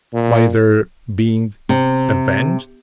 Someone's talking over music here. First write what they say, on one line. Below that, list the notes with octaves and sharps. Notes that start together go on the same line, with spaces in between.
By their being avenged?
A#2
C3